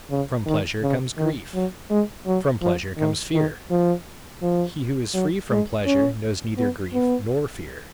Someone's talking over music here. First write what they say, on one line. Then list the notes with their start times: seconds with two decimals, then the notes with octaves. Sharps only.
From pleasure comes grief, from pleasure comes fear; he who is free from pleasure knows neither grief nor fear.
0.11 C#3
0.46 D#3
0.82 C#3
1.18 D#3
1.54 F#3
1.90 G#3
2.26 F#3
2.62 F3
2.98 D#3
3.34 D#3
3.70 F3
4.42 F3
5.14 F#3
5.50 G#3
5.86 C#4
6.58 B3
6.94 B3